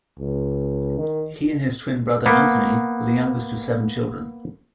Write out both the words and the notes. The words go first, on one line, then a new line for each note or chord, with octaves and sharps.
He and his twin brother, Anthony, were the youngest of seven children.
C#2
D#3
A#3 B3